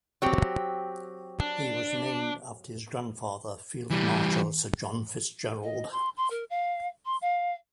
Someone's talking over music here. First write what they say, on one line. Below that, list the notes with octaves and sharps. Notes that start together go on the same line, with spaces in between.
He was named after his grandfather, Field Marshal Sir John FitzGerald.
F#3 C4 G4
D4
E3 G3
D#5
C6
C6
A#4
F5
C6
F5